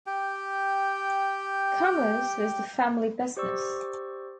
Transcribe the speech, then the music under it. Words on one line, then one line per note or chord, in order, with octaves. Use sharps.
Commerce was the family business.
G4 G5
G4 C5 D5 C#6 E6